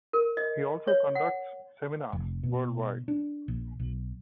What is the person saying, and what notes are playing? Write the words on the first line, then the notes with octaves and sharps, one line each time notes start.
He also conducts seminars worldwide.
A#4
D#5
C#5
F#5
F1
B2
D4
A#1
B1